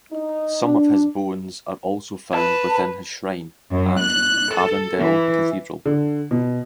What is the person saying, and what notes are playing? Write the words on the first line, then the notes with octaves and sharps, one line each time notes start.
Some of his bones are also found within his shrine at Arundel Cathedral.
D#4
D4
B4 A5
F#2
F#6
A4
E3
D3
B2